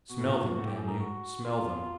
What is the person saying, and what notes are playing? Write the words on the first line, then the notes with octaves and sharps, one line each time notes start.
Smell them, damn you, smell them.
B2 F#4
A2
A#2
A#2
A2 F#4
G4
G#4
A#4
F#4
B2 F4